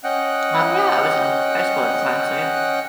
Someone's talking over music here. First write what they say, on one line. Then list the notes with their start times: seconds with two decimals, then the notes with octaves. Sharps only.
Oh yeah, I was in high school at the time so, yeah.
0.04 C#4 D#5 F#5 G5 F#6